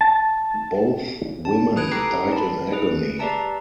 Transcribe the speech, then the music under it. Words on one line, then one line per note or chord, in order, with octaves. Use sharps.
Both women died in agony.
A5
A5
E4 B4 D#6 F#6 G#6 D7
G4 A4 G5 A#5 D#6 C7
A5 B5
G#4 B4
G4 B4 D5 E5 A5 A#5